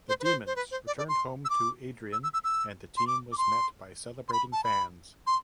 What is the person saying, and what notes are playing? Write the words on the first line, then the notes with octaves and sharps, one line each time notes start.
The Demons returned home to Adrian and the team was met by celebrating fans.
C5
B4
C5
C5
B4
C5
D5
D5
C6
E6
D6
E6
E6
E6
E6
C6
D6
D6
C6
C6
B5
A5
B5
C6